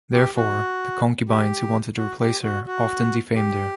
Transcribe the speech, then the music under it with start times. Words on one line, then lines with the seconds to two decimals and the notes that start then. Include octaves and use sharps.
Therefore, the concubines who wanted to replace her often defamed her.
0.14 G4
0.36 F#4
1.29 G4
1.97 F#4
2.20 G4
2.43 F#4
2.67 F#4
3.35 G4